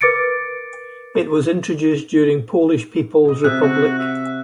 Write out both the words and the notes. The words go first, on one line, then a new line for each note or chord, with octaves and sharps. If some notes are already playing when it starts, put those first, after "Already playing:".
It was introduced during Polish People's Republic.
A#4 B4 D6 A6 C#7 D7
D#5
C3 E5 F#6
F#4
E5